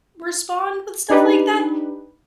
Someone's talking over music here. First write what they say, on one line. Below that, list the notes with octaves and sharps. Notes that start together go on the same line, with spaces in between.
respond with stuff like that.
D4 D#4 G4 B4